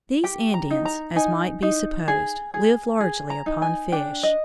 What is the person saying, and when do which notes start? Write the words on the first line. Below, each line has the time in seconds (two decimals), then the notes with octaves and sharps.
These Indians, as might be supposed, live largely upon fish.
0.24 G4 G5
0.54 A#5
0.70 D#4
0.85 A#5
1.16 D#4 G#5
1.63 D#4
2.08 G#4
2.54 G#4
3.00 G#4
3.30 A#5
3.46 D#4
3.62 G#5
3.92 D4 G5
4.23 D#5